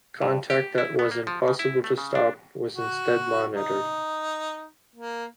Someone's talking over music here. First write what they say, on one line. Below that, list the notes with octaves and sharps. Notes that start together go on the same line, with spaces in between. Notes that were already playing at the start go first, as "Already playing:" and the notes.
Contact that was impossible to stop was instead monitored.
G2
G4
E4
B3
A#3
F3
C#3
E4
A3
C#3
D4
F#4
D#4
A#3